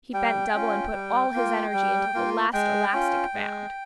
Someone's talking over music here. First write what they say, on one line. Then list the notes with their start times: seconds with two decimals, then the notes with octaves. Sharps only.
He bent double, and put all his energy into the last elastic bound.
0.13 G3 G5
0.54 C#4 F4
0.93 G3
1.34 A#3 F4
1.73 G3
2.14 A#3 F4
2.53 G#3 G5
2.93 C#4 F4
3.34 G#3